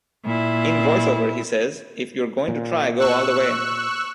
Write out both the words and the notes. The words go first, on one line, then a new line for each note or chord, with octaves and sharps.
In voiceover he says, If you're going to try, go all the way.
A#2 E4
A#2
C#6 E6 F#6